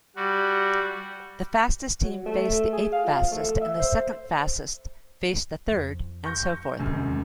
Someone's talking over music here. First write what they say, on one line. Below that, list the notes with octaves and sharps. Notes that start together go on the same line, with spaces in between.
The fastest team faced the eighth-fastest, the second-fastest faced the third, and so forth.
G3 F#4
F#3
A3
G#4
F5
F4
F3
A3
E5
C5
F2
C#6 G6 A#6
F1 F#2 C3 D#3
E2 G#3